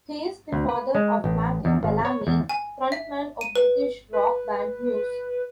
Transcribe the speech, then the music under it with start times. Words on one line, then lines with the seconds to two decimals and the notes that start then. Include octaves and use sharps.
He is the father of Matthew Bellamy, frontman of British rock band Muse.
0.53 D2
0.69 B4
0.95 G#3
1.24 A1
1.65 E2
1.83 G#1
2.05 C#5
2.27 E2
2.49 G#5
2.92 E5
3.41 D#7
3.56 B4
4.13 B4